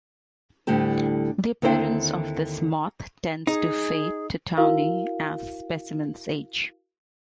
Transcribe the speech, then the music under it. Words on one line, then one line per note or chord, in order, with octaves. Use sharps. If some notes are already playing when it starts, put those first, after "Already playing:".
The appearance of this moth tends to fade to tawny as specimens age.
D2 A2 D3 G3 G4 A5
D#2 D3 C4 E4 C5 G5
D#4 G#4
E4 F#4 A#4 F5